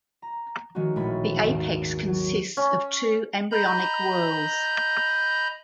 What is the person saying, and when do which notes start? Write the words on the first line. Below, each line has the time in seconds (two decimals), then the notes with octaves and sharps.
The apex consists of two embryonic whorls.
0.22 A#5
0.75 D#3 F3 G#3 C#4 F#4
0.96 A1 A#2 G#3 C#5 B5 A6
1.43 G#1 D#2
2.08 F#3
2.57 C#4
3.51 D#5 A#5 B5 G6